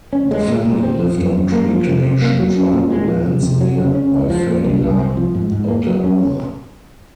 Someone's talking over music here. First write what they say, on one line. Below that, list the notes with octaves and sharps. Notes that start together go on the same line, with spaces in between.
The family lived on Creek Nation tribal lands near Eufaula, Oklahoma.
C#4
G#3
A#2
A#2
C4
F3
F#2
F#2
A#3
F3
C3
C3
A#3
F#3
C#4
A#2
G#3
F3
C3
C3
F#3
C#3
C#4
C#2
F3
A#2
C2
C2
C4
F3
G#2
G#2
A#3
F#3
C#4